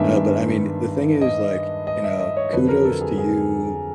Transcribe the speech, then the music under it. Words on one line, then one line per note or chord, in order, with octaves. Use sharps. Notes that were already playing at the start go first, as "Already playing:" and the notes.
No, but, I mean, the thing is, like, you know, kudos to you,
Already playing: G2 D#3 G#3 B3 D4 E5
D#5
D#5
E5
D#5
C#5
F2 D3 F#3 B4
A#4
A4
G#4
G#4